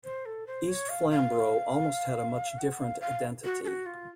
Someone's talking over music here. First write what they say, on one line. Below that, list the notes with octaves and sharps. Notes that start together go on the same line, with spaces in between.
East Flamborough almost had a much different identity.
C5
A4
C5
C#5
F5
F5
F#5
F5
F5
F#4
A4
F#4
F4